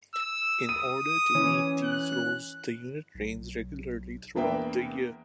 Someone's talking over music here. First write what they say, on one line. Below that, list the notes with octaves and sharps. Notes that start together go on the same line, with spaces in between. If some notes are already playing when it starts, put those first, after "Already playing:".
In order to meet these roles the Unit trains regularly throughout the year.
E6
D#6 D#7
E3 C#4
F#6
B1
E2 A#3 D4 B4 E5 G5